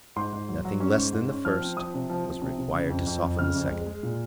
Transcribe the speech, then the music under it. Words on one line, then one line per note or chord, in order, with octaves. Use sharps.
Nothing less than the first was required to soften the second.
G#2 C6
G#2
F#3
F#3
C#4
G#2
G#2
C#4
F3 F6
C4
F3 D#6
C3
F3
F3
C3
C3
C#3
F2
F2
F2
C#3 F6
F2
G#3
G#3
A#2